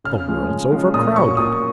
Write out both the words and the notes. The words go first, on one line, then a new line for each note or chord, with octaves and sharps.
The world's overcrowded.
C#3 F6
F3 G#3 C#4
C#3
F3 G#3 C#4
A#2 D#6
F#3 C#4 C#6
A#2 D#6